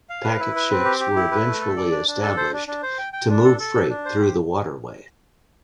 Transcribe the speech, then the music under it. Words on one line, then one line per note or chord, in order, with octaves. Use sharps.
Packet ships were eventually established to move freight through the waterway.
F5
B4
E4
B4
C4
G4
G4
E4
B4
A3
A4
D5
D4
D4
A4
C5
D4
D4
C5
G5
G5
D4
A4
A4
D4
D4
C5
G4